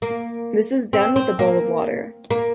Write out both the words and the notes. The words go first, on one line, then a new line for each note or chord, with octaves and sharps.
This is done with a bowl of water.
A#3
C4
C4
A#3
A#3